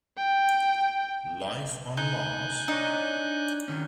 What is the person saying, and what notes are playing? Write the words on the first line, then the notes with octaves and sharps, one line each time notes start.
Life on Mars?
G5
D#4 G#5 F#6 G6
D4 D#4 C#5
D#3 C#4